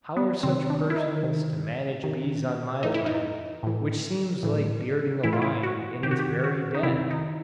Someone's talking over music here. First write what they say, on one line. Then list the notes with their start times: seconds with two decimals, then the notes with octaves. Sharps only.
How are such persons to manage bees on my plan, which seems like bearding a lion in its very den!
0.17 B3
0.43 C3 D#3 C4
0.70 D4
0.90 E4
0.96 D#4
1.23 C3 D#3
2.03 C3 D#3
2.83 A2 E3 D#4
2.94 E4
3.06 D#4
3.63 A2 E3
4.43 A2 E3
5.23 A2 E3 E4
5.33 F4
5.42 E4
5.63 F#4
6.03 C3 D#3 G4
6.11 F#4
6.19 G4
6.44 F#4
6.74 D#4
6.83 C3 D#3 E4
7.10 D#4